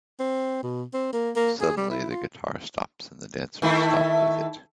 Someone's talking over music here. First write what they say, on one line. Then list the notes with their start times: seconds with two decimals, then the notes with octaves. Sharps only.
Suddenly the guitar stops and the dancers stop with it.
0.20 C4
0.63 B2
0.94 C4
1.13 A#3
1.36 A#3
1.61 G#4
1.77 G3
1.90 E4
2.11 F4
3.62 D#3 A3 E4